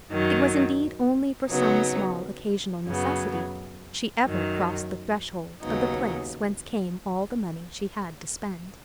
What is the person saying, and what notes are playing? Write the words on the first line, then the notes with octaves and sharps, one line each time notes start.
It was indeed only for some small occasional necessity she ever crossed the threshold of the place whence came all the money she had to spend.
F#2 D#3 F#3
C#3 F#3 B3 D#4
F#2 C#3 F#3 B3
F#2 D#3 F#3
D#2 C#3 F#3 B3 D#4